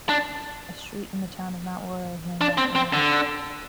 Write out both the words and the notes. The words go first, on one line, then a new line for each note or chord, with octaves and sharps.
A street in the town of Mount Royal is named after him.
D4
D4
C4
C4
D3